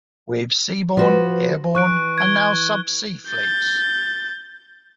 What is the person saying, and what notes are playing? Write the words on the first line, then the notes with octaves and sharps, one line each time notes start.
We've seaborne, airborne and now subsea fleets.
F3 F#4 B4
E3 C#6 F#6 D7
G#6 D7 G7
G6 A6